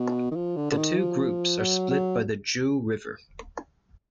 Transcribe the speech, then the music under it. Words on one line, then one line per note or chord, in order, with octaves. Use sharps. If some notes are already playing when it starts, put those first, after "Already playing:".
The two groups are split by the Jiu River.
Already playing: B2
D#3
F3
D3
D3
D#3
F3
F#3
F#3